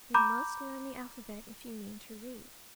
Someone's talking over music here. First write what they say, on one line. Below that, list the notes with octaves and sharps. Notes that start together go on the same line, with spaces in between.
You must learn the alphabet if you mean to read.
A#5 B5 D6 G6